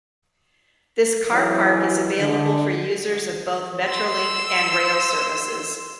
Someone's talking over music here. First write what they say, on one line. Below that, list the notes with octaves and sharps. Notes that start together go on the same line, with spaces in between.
This car park is available for users of both Metrolink and rail services.
G#2 E3 F#3
D3
C6 E6